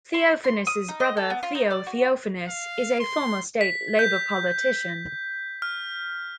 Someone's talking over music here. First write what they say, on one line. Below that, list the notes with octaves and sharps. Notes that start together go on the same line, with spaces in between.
Theophanous' brother Theo Theophanous is a former state Labor politician.
C6
C6
D#6
D#4
D#5
A4
B3
F4
D#4
D5
F#4
F5
C6
B6
G6
F6